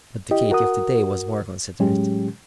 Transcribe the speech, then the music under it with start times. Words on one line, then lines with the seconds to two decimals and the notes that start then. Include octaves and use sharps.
But the Katy of to-day was more considerate.
0.31 E4 G4 D#5
0.51 F#4 A#4 F#5 D#6
1.80 A2 F#3 G#3 C#4 G4